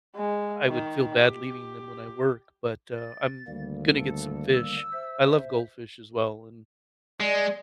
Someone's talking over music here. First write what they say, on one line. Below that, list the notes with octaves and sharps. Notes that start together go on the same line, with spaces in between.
I I would feel bad leaving them when I work, but, uh, I'm gonna get some fish. I love goldfish as well and
G#3
D#3
G4
A6
D2 D#3 G3 A#3
A4
E6
C5 E5
G#3 D5